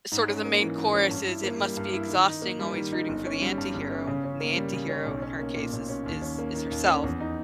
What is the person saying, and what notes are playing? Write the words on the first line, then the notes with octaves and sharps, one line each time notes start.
sort of, the main chorus is, "It must be exhausting always rooting for the anti-hero," and the anti-hero in her case is is is herself,
G#2
C#4
A#3
E3
G#2
C#4
G2
E4
A#3
G3
G2
E4
D#3
D#4
A#3
G3
D#3
D#4
G1
C#4
G3
G2
G1
C#4
C#3
C#4
A#3
G3
C#3
C#4
B1
C#4
A#3
A#2
B1
C#4
D#2
C#4
A#3
D#3
D#2
C#4
E2
D#4